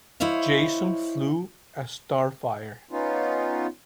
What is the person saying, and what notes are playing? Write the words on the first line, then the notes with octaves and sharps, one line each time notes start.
Jason flew a "Starfire".
E4 C5 C#5 D#5 F5
B3 C#4 D#4 F4